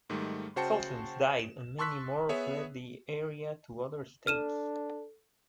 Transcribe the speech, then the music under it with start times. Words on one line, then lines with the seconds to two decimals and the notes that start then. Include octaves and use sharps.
Thousands died, and many more fled the area to other states.
0.10 G#2 D#3 G3 A3
0.56 C#3 F#4 C5 G5 A5 C#7
1.39 E7
1.79 A5 C6 C#6 E6 F#6 B6
2.29 B3 G#4 C#5 E5
4.27 D4 A4 F6 D#7 E7